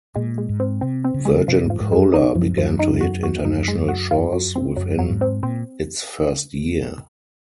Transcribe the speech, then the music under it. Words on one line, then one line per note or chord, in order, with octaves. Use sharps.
Virgin Cola began to hit international shores within its first year.
A#2 G#3
G#3
G#2
C4
C3 C4
C4
C#3
G#3
C3 F3
G#2
F3
G#2
F#2 G#3
D#4
F#2 F3
F#2 F3
D#4
F#4
F#4
F#2 D#4
G#3
F#4
F4
F#3
C4
F#2 F#3
F#3
G#2
C4
A#2 C4